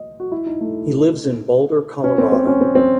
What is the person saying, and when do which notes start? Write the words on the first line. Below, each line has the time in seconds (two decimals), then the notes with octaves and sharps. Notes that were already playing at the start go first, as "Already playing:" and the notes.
He lives in Boulder, Colorado.
Already playing: D#5
0.20 F#4
0.32 E4
0.46 D#4
0.61 A3
2.04 C#4
2.18 C4
2.32 C4
2.47 C#4
2.61 C4
2.75 C4